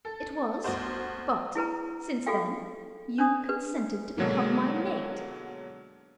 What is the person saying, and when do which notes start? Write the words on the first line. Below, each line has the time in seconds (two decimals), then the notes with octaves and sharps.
"It was; but, since then, you consented to become my maid."
0.05 A4
0.64 D2 B3 F#4 C5
1.55 E4 G#4 B4 A#5
2.26 F#4 G#4 A4 F5 G5
3.18 C#4 D4 D#6
3.49 B4
4.18 B2 D3 F#3 G#3 A#3